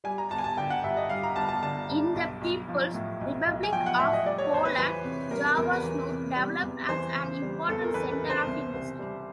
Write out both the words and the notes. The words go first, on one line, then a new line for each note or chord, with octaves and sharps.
In the People's Republic of Poland Jaworzno developed as an important center of industry.
G3 G#5
A#5
G1 A5
G#5
A5
D3 G5
F#5
G2 E5
D#5
G3 F5
A#5
G1 A5
A5
D3 A5
G2
B1
B1
F3
A2
B1
B1
G#5
F3 G5
F#5
A2 E5
D#5
G3 D5
C#5
E2 C5
B4
E3 B4
C3
G3 A#4
A#4
E2 A#4
B4
E3
C3
G3
E2
E3 C5
C#3
G3
E2 A4
A#4
E3 B4
B4
C#3
C5
C2
C2
G3